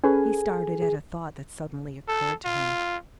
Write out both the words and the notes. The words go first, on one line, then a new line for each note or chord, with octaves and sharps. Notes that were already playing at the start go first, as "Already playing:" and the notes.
He started at a thought that suddenly occurred to him.
C#4 G#4 A4 B4 G#5
G#4
A4
F4